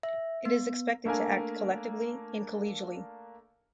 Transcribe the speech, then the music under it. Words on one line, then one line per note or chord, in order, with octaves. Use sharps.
It is expected to act collectively and collegially.
E5
B3
A3 A#3 D4 A#4 G#5